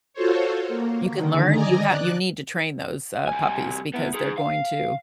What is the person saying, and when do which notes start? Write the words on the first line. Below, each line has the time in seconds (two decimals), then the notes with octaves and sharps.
You can learn? You ha you need to train those, uh, puppies because they're going to
0.13 F4 F#4 A4 C5 C#5
0.68 A#3
1.10 D3 D#3
1.51 D5 D#5 G#5 A#5
1.87 D5 F#6
3.28 C2 G#5
3.94 B3 E4
4.15 D#4 G#4
4.38 F5